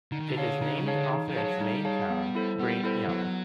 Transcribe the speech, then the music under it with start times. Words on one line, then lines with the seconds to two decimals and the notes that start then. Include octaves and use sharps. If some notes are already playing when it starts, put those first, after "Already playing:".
It is named after its main town, Great Yarmouth.
0.12 D3 D#4
0.20 D#3
0.28 D3
0.37 G#4 C#5 F5 A5
0.61 D3 D#4
0.78 C#3
0.86 G#4 C#5 F5 A5
0.94 D3
1.11 D#4
1.28 F3
1.36 G#4 C#5 F5 A5
1.44 F#3
1.60 G3 D#4
1.85 G#4 C#5 F5 A5
2.10 B3
2.35 E4 A4 C5
2.59 G3 B3
2.84 E4 A4 C5
3.08 F#3 B3